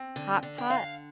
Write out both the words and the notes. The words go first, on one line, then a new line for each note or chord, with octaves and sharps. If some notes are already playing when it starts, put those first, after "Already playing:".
Hot pot?
Already playing: C4
D3
D3
G5
D3 F5